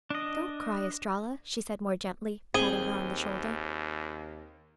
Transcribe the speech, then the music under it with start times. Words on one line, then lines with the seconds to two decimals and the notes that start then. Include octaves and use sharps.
"Don't cry, Estralla," she said more gently, patting her on the shoulder.
0.10 D4 D#5
2.54 D#2 C4 G#4 D#7 G7